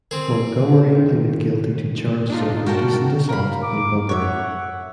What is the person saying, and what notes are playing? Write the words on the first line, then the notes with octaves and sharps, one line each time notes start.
Montgomery pleaded guilty to charges of indecent assault and buggery.
C4 G#4 A#4
D#3
D4 D#4 F4
F#4 A#4 G5 A5
A#4 F5 B5
D6
C#5 E5 F#5